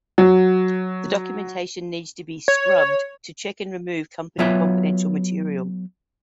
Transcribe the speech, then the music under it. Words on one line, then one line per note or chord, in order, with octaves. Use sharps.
The documentation needs to be "scrubbed" to check and remove company confidential material.
F#3
C#5
F#3 B3 F4 C#5 E5